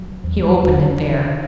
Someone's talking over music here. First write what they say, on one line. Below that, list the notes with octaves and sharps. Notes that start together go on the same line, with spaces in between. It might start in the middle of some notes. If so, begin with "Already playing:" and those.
He opened it there.
Already playing: F#3
E2
E2
D#3